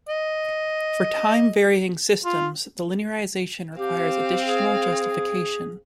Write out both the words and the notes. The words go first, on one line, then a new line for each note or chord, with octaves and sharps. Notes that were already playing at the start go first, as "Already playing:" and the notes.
For time-varying systems, the linearization requires additional justification.
D#5
F4
C4 G4 F5
G#4